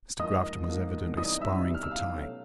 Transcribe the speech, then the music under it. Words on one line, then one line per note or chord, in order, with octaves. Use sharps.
Mr. Grafton was evidently sparring for time.
G#2 F3 A#3 D#5 D#6
G#2 F3 A#3
C3 E3 G3 B3 D#4 D#5 D#6
E5 E6
C3 E3 G3 B3 D#4
F6
E6
F5 F6
B2 F#3 A3 C#4